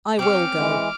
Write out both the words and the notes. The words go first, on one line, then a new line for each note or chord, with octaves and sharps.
'I will go.
C4 C#4 D6 F6
E3 G#3